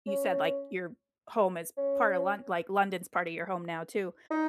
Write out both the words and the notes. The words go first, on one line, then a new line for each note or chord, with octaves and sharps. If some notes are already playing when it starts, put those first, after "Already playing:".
you said, like, your home is part of Lon like, London's part of your home now too.
C#4
C#4
D#4